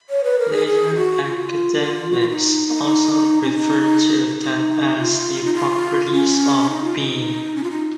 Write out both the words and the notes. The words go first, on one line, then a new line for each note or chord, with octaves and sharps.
Later academics also referred to them as the properties of being.
C#5
B4
A#4
G#4
G#4
F#4
F4
F#4
F4
D#4
D#4
C#4
D#4
D#4
F4
D#4
F4
C#4
D#4
F4
D#4
C#4
F4
D#4